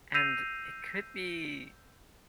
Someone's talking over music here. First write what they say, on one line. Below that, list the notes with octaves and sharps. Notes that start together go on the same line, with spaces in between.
and it could be
E6 G6 A#6 C7 D#7 F7